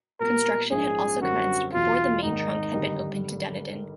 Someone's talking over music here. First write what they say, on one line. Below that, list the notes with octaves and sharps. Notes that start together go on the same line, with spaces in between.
Construction had also commenced before the Main Trunk had been opened to Dunedin.
A#2 G3 B3 A#4
A#1 G#2 F3 A#3 C#4 G#4
F#2 D3 G3 C4 F#4
E2 B2 F#3 F4
G#1 G#2 D#3 D#4
G#1 G2 D3 G3